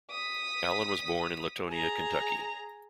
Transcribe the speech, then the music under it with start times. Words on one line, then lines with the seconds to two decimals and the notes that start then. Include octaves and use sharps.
Allen was born in Latonia, Kentucky.
0.11 D#6 B6
1.68 G#4 A#5